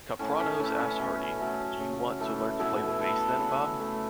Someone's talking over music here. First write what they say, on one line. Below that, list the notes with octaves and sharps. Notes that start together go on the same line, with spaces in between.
Kapranos asked Hardy, "Do you want to learn to play the bass then, Bob?".
A2 C#4
C#4
E3 A3 C#4
C#4
B2
F#3 A3
C#3
E3 A3
B2 B3 E4
A3 E4 A4
C#3 F#4 B4
A3